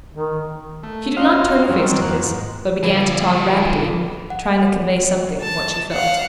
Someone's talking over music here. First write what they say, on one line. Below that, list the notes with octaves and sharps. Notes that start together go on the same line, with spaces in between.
She did not turn her face to his, but began to talk rapidly, trying to convey something of what she felt.
D#3
A3
D#4 F4 F#4 C5 F5
F#2 D#3 F#3 G3 C4
F2 A#3 F#5
G#2
F3 B4
F#5
A5
F5 F#5